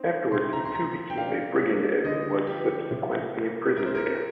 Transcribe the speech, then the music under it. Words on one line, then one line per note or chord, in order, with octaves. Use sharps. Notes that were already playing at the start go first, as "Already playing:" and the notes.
Afterwards he too became a brigand and was subsequently imprisoned again.
Already playing: C4 D#4
C3 C6
A#5
C6
F3 A#5
G5
D4 F5
A#3
D3 D#5
F3 G4
C3
A#3
C3 A#4
C5
A#4